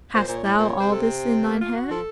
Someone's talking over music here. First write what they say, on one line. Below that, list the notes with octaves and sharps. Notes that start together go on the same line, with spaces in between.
Hast thou all this in thine head?
A#2 C5
A#2 C5
C#5
A2
A#2 C5
C#5
C3 C5
A4
C4
A#3
F4
F#4
F3 A4